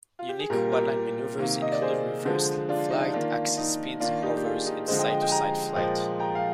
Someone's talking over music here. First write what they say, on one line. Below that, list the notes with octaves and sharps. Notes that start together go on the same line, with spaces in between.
Unique quadline maneuvers include reverse flight, axis spins, hovers, and side to side flight.
F4
G4
G#4
A#2 G3 A#3 G4 A#4
G4 A#4
C3 D#3 A#3
D#5
D5
G#4 C5
D3 F3 G#3
D4 F4
D#4
D#3 A#3 D4 F4
D#4
D#3 A#3 D4 F4
D#4 G4
G4
F4 G#4
D#4 G4
D3 F3 G#3 C5 D#5
D#5 G5
D#5 G5
D#5 G5
G#5
G5 A#5
A#2 F3 G#3 D#5 G5
G5 A#5
F5